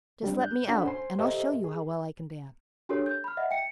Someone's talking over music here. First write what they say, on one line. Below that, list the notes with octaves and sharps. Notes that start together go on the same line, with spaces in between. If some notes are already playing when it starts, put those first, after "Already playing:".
"Just let me out and I'll show you how well I can dance."
F#3 G3 C4 D4
F#6 G6
C#4 D4 F#4 A4 F#5 B5
C5 G#5 C6
G4 A4 A#4 C5 D#5 E5
G#4
D4 F#4 G4 A4 A#4 C#5
G6
B5 F6
D#5 E5 F#5
G5 C#7